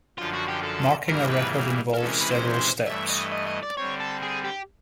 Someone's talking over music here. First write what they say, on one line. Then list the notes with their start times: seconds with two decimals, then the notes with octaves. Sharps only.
Marking a record involves several steps.
0.19 F#2 D3 F3 F4
0.34 F#4
0.48 G4
0.63 A4
1.08 G#2 E3 G3 A#3 A#4
1.31 B4
1.94 A#4
1.98 C3 E3 G#3 C#4 A4
2.09 A#4
2.21 B4
2.31 C5
2.87 G2 E3 A3 E5
3.10 D#5
3.32 D#5
3.47 D#5
3.63 D5
3.77 D3 G3 C4 C#5
4.00 A4
4.23 G#4
4.45 G4